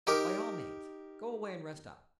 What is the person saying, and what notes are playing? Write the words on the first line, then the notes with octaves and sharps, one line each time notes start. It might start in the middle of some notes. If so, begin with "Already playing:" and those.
By all means, go away and rest up.
D#4 G4 A#4